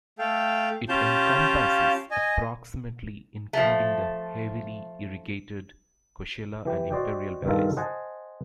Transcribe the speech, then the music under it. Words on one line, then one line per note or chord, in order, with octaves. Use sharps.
It encompasses approximately including the heavily irrigated Coachella and Imperial Valleys.
A3 A4 F5 G5
C#4 F4 G4 F5 A5 G6
D#5 G#5
F3 A3
E3 G4
F#4 C5 D5 D#5 G5
G2 D#3 F4 A4
C5 D#5 F#5 G#5 A5